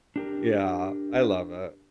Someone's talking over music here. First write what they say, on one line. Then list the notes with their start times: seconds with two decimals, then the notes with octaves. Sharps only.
Yeah, I love it.
0.16 D4 G4 A#4